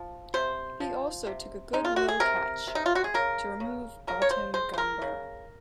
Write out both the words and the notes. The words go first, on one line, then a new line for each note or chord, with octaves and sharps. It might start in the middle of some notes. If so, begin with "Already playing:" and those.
He also took a good low catch to remove Gautam Gambhir.
Already playing: F3
C3 C5
F3
C3
G#3 D#4
F4
F#4
G#4
C3 A#4
C3
D#4
F4
F#4
G#4
C#3 A#4
C#3
C#3 A#4
C#5
C5
G#3 C5
C5
A#4
C#3